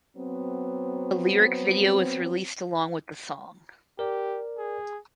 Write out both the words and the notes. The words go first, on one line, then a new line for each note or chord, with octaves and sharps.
A lyric video was released along with the song.
F#3 B3 C4
G4 A#4 D5
G#4